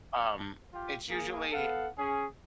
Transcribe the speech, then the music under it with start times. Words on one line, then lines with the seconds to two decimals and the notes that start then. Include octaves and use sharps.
um, it's usually,
0.73 F4 G4
1.09 A#3 G#4
1.52 B3 A4 F5 F#5
1.98 C#4 G#4